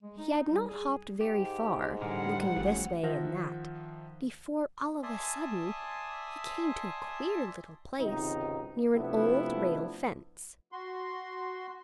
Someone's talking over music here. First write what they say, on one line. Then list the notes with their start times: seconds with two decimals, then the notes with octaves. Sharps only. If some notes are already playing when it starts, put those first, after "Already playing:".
He had not hopped very far, looking this way and that, before, all of a sudden, he came to a queer little place, near an old rail fence.
0.03 G#3
0.18 D#4
0.51 G3
0.68 G#4
1.21 G#2 G4
2.01 A2 D3 G3 G#3 A#4 F#5
2.56 G#1 F3 A3 C#4
3.03 D#3 F3 E5 F#5 A#6
5.03 D5 E5 G#5 A5 C6 D#6
8.00 G#1 C#2 C3 D#4
8.95 C3 F3 A3 B3 D4 E4
10.72 F#4 C6